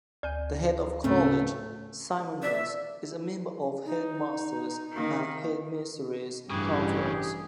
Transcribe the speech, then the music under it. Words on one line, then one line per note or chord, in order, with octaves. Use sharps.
The Head of College, Simon Mills, is a member of Headmasters' and Headmistresses' Conference.
D2 G#5 G6
A2 C#3 A3 C4
D5 E5
D#4
D#3 A#3
A1 G2 C#3 E3 G4 G#4